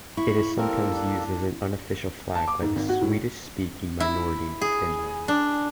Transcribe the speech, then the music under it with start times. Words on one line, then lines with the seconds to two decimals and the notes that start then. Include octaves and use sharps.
It is sometimes used as an unofficial flag by the Swedish-speaking minority in Finland.
0.17 E4 B5 C#6
0.58 G3 A#3 C4 A4 A#4
0.95 D4
2.35 A5
2.48 D6
2.62 G#2
2.76 G#1
2.89 F#4
3.01 A2
4.00 E4
4.61 G#4
5.28 D4